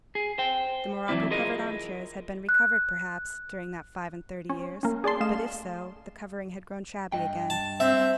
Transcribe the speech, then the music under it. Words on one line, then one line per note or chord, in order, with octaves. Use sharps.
The morocco-covered arm-chairs had been re-covered, perhaps, during that five-and-thirty years; but if so, the covering had grown shabby again.
G#4
C5 G5
E3 F#3 A#3 C4 E4 D5
E4 F4 G#4 A#4 D#5
F#6
C#4
A#3 C#4
G#4 D5 A5 C6
A3 D#5 F5 E7
G2 D#5 G5
A5
C4 E5